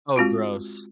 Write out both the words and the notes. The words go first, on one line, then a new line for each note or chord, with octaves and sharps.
Oh, gross.
G#3 C4 F4 F#4